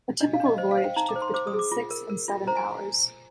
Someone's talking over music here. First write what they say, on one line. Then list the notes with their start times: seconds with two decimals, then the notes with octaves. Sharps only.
A typical voyage took between six and seven hours.
0.20 D4 D#5
0.34 F5
0.40 D4
0.46 D#5
0.58 C5 D#5
0.71 F5
0.77 C5
0.84 G5
0.96 D#4 A#5
1.09 D6
1.16 C5
1.22 C6
1.34 C5 D6
1.47 D#6
1.54 G#4
1.59 D6
1.72 F4
1.91 A#4
2.09 A#4
2.28 F4
2.47 C5 A#5
2.57 G#5